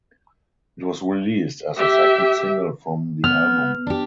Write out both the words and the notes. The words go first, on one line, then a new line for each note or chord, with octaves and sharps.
It was released as the second single from the album.
G4 E5
B3 F6
D4 G4